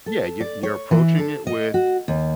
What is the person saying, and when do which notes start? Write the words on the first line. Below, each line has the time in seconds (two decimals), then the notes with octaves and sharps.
Yeah, you you're approaching it with,
0.06 A4
0.41 D5
0.63 C#5
0.91 E3
1.19 A4
1.47 D#5
1.74 F#4
2.08 D#2